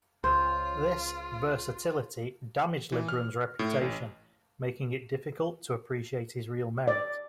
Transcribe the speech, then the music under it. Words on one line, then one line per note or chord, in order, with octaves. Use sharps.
This "versatility" damaged Lebrun's reputation, making it difficult to appreciate his real merit.
C#2 F4 C5
E3
F6
A2
A1
D5